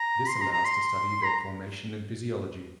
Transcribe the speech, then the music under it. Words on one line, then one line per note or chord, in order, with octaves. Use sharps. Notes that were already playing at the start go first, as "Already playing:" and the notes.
This allows to study their formation and physiology.
Already playing: A#5
C6
A#5
A#5
C6
A#5